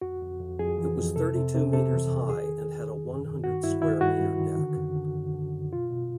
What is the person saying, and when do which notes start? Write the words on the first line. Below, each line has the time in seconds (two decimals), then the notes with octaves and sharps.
It was thirty-two meters high, and had a one-hundred square meter deck.
0.02 F2 F#4
0.21 F2
0.40 F2
0.59 F2 G#4
0.78 E3
0.97 F2
1.16 C3 A4
1.36 C3
1.54 C3
1.73 C3 A4
1.93 E3
2.12 E2
2.30 D#3 G#4
2.49 D#3
2.68 D#3
2.88 D#3
3.06 F#2
3.25 D#3
3.44 G2 F#4
3.63 G2 E4
3.82 D#3 E4
4.01 G2 F#4
4.20 G2
4.40 D#3
4.59 D3
4.77 F#2
4.96 D3
5.15 F#2
5.34 D3
5.53 F#2
5.73 B2 F4
5.91 B2